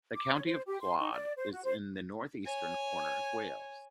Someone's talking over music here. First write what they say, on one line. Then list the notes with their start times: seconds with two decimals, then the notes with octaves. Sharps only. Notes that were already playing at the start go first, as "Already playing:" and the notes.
The county of Clwyd is in the northeastern corner of Wales.
0.15 D6
0.35 C#5
0.46 C5
0.66 G4
0.81 C6
0.99 D#4
1.12 D5
1.37 C5
1.52 F#4
1.64 C5
2.45 C#5 G#5